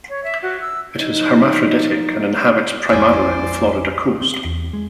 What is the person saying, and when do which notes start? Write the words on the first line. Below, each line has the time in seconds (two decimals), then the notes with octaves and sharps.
It is hermaphroditic and inhabits primarily the Florida coast.
0.09 C#5
0.24 E5
0.43 F#4
0.61 E6
1.00 F#2 F3 A#3 D#4
2.89 A#1 F2 E4 C5 D5 G5 G#5
4.21 C4
4.45 E2
4.73 G#3